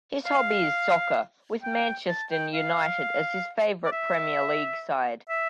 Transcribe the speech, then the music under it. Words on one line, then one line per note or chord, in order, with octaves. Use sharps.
His hobby is soccer, with Manchester United as his favourite Premier league side.
F5
G5
A5
G5
F5
D5
E5
E5